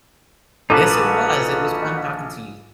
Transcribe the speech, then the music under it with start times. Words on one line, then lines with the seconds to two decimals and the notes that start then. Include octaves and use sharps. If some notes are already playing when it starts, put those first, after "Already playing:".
Yes, it was, it was fun talking to you.
0.70 A#1 D#4 F#4 A4 B4 D6